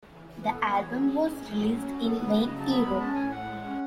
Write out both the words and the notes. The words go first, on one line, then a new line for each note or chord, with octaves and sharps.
The album was released in main Europe.
E3
E3
B3 B4
A4
B3
B4
E3 C#5
F#3 G#4
C#4
A2
A2
F#3
C#4
F#3 F#4
B3 A4
C#3 B4
C#3 B4
D#5
F#3
A5
B3 B5
G#3 B5
C#4 A5
A2 G#5
A2 F#5
G#3
C#4